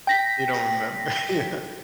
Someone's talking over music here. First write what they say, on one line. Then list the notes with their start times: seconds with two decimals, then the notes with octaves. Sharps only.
you don't remember, yeah.
0.07 G5 A#6 B6